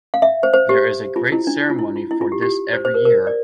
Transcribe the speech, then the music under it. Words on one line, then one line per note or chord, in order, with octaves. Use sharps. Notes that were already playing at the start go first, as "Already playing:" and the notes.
There is a great ceremony for this every year.
F5
E5
C5
C5
G4
F4
E4
D4
F4
E4
F4
E4
F4
G4
G4
C5
C5
A#4
A#4
D5